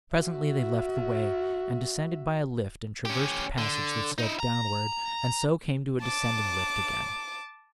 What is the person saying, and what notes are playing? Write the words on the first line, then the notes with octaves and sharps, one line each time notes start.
Presently they left the way and descended by a lift and traversed a passage that sloped downward, and so came to a descending lift again.
F#4 E5
C#4 G4
D3
D#4 E4
A#5
A5 D6